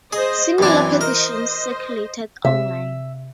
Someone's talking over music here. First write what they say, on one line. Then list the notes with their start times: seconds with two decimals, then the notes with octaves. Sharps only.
Similar petitions circulated online.
0.13 G#4 C5 D#5
0.58 F#2 E3 C4 D4 G#5
1.01 A#4 C5 D#5
2.45 C3 E5